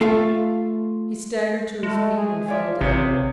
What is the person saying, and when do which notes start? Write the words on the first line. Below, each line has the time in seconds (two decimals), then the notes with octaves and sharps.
He staggered to his feet and fell down.
0.01 A3 F4 A4 E5 F5
1.83 G#3 A3
2.17 G#4
2.48 F4 C#5 D5 E5
2.81 A1 C3 G#4 B4 C#5